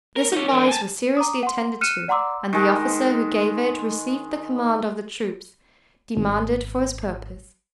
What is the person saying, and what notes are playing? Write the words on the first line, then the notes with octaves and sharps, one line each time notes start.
This advice was seriously attended to, and the officer, who gave it, received the command of the troops, demanded for his purpose.
A#4
D#4 C#5
D4 A#4
G#5 A5
A#5 D6 D#6
F#5 C6
F6 F#6 C#7 D#7 E7
D5 F#5 A#5 C6 D6 E6
D#3 G#3
G#1